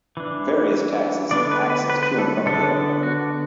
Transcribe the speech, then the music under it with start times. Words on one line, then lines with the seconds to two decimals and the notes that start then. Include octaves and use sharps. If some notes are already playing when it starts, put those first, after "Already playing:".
Various taxis have access to and from the airport.
0.17 E3 D4
1.31 D3 B3 D4 D5
1.51 B4
1.70 B4
1.90 B4
2.03 B4
2.18 A4
2.46 D3 B3 D4 A4
3.03 F#4